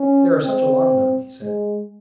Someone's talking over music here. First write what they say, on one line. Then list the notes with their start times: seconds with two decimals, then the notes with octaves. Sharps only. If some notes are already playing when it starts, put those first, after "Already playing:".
"There are such a lot of them," he said.
Already playing: C#4
0.42 C4
1.42 G#3